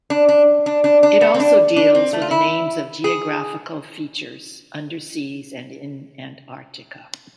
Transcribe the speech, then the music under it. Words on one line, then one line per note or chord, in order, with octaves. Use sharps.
It also deals with the names of geographical features underseas and in Antarctica.
D4
D4
D4
D4
D4
B3
C4
D4
D4
C4
A3
F4
E4
G#4